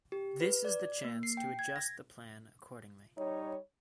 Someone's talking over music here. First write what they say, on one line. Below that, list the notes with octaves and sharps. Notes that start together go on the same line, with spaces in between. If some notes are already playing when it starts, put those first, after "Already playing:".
This is the chance to adjust the plan accordingly.
G4
B4
D5
A#3
C7
G5
G#6
A#6
G3 D#4 C#5